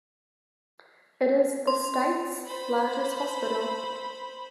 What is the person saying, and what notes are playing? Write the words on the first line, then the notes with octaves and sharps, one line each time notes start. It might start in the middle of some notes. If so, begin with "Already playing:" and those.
It is the state's largest hospital.
C6
C5 B5